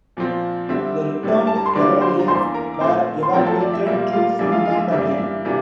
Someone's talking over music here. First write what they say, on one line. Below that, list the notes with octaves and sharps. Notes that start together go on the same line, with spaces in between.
The returned Karelians were evacuated to Finland again.
A#2 F3 C4
D3 G3 C4 E5 E6
A2 G3 D4
A5
A#5
C6
D3 G3 A#3 D4 D5 D6
C5 C6
A#5
E2 E3 A#3 D4 C5 C6
A#4 A#5
D6
A#2 A3 C4 C5 C6
C6
A2 F3 C4 A#4 A#5
A4 A5
D5
E5
A#2 G3 A#3 E5
F4 F5
F2 E3 A#3 D4 E5
F4 F5
F4 F5
E5
G2 E3 A#3 D4 E5
D5
E5
C3 E3 A#3 D4 E5